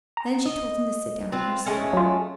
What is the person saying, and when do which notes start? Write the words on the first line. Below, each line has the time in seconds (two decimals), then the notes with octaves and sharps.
Then she told him to sit down on her skirt.
0.17 A#5
0.46 D#5
1.32 C4 F4 B4
1.66 G#3 A3 C#4
1.93 F#3 F4